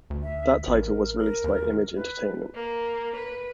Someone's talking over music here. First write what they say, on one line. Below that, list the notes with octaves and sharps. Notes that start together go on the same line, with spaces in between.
That title was released by Image Entertainment.
D2
E5
A1 A#4
A#4
D#2
B4
A#3
B4